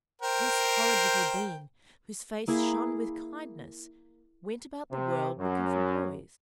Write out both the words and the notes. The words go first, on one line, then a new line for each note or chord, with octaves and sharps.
This horrid little being, whose face shone with kindness, went about the world looking for boys.
A#4 C5 G5
A#3 E4 G#4
C3
F#2